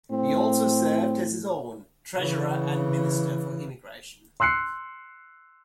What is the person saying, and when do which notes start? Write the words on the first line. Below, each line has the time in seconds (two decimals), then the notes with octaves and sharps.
He also served as his own Treasurer and Minister for Immigration.
0.11 A2 C4
2.17 C#3 E3
4.40 C6 E6 F#6 C7 C#7